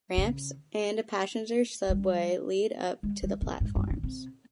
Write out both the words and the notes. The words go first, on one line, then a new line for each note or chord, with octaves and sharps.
Ramps and a passenger subway lead up to the platforms.
C#3
G3
G#3
G3
C3
G#2
G2
C#3
C3